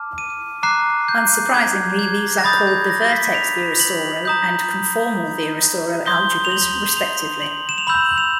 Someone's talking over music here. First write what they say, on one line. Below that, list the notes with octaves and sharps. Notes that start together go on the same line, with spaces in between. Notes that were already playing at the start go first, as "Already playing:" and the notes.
Unsurprisingly these are called the vertex Virasoro and conformal Virasoro algebras respectively.
Already playing: A5 D6 F6
D#7
A#5 D6 F#6 C7
G6
G#6
G#6
A#6
B5 D#6 G6 A6
G#6
A#6
B6
F7
F#7
A#5 D#6 G6
C6 D#6 G6 G7
F7
F#7
F7
F#7
E7
F7
B5 E6 G6 F#7
F7